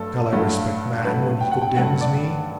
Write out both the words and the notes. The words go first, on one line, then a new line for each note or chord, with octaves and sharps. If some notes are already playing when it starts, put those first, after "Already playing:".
Shall I respect man when he condemns me?
Already playing: G2 F#3 A3 A4
G2 F#3 A3
G2 F#3 A3 B4
G5
F#5
G5
G2 F#3 A3 F#5
D5